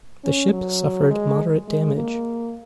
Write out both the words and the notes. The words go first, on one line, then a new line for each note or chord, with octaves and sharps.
The ship suffered moderate damage.
C#4
F#3
G#3
G#3
A#3